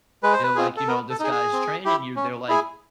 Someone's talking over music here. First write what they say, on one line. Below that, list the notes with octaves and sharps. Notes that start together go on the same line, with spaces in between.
they're like, "You know, this guy's training you." They're like,
G#3 B4
C5
B4
C4 F4 G#4
A4
B3 A#4
A4
D#4 G#4
G#4
C4
E4 G4
C#4
E4 G#4